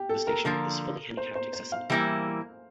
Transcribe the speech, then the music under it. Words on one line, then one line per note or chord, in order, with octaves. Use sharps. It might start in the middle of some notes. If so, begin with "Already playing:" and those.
The station is fully handicapped accessible.
Already playing: G4
A4
A#4
D3 F3 A#3
C5
C5
C5
F5
E3 G3 A#3 E4